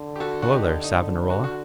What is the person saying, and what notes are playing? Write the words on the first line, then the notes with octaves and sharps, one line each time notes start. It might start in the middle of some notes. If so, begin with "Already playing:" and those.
"Hello there, Savonarola."
Already playing: D3
G4
F#4 A4
F#4
D#4 G4
D#4
F#4
F#4